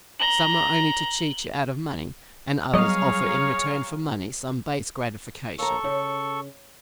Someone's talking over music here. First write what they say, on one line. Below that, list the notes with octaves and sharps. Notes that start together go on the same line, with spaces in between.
Some are only to cheat you out of money, and others offer in return for money some base gratification.
A#5 F#7 G7
F#3 G3 B3 G#4 C#5 D#5 F5 A#5
D#2 A4 A#5 C#6
C#3